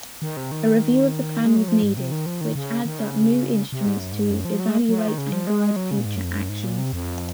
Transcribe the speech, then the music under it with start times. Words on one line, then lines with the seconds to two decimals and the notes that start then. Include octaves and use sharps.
A review of the Plan was needed, which adds up new instruments to evaluate and guide future actions.
0.22 D#3
0.37 C3
0.52 D#3
1.46 G#3
1.57 F#3
1.68 F3
1.83 G#2
1.97 C3
2.12 D#3
2.26 F3
2.41 D#3
2.55 C#3
2.85 D#3
2.99 C#3
3.72 C3
3.87 G#2
3.99 F#2
4.13 G#2
4.30 F#2
4.45 F3
4.59 F#3
4.69 G#3
4.89 F#3
4.98 F3
5.08 D#3
5.18 C#3
5.32 F3
5.47 G#3
5.76 F#3
5.91 C#3
5.98 A#2
6.05 G#2
6.16 F#2
6.25 F2
6.35 F#2
6.49 G#2
6.64 A#2
6.78 C3
6.93 F2